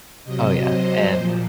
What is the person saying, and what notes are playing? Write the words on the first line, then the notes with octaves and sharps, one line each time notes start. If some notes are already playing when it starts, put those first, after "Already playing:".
Oh yeah, and
C3 F#3 D#5
C5
A#2 F3